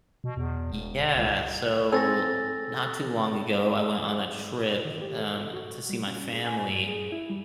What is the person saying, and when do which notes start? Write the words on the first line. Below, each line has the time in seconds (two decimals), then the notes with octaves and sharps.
Yeah, so, not too long ago, I went on a trip, um, to see my family,
0.24 B2
0.37 E2
0.72 E1
1.15 C#2
1.92 C4 A4 G#5 E6 A6 A#6
4.85 D#3
5.02 G4
5.18 A4
5.53 F#4
5.89 G3
6.07 C#4
6.33 G#4
6.47 G#5
6.69 G2
6.88 G#4
7.12 E4
7.29 G3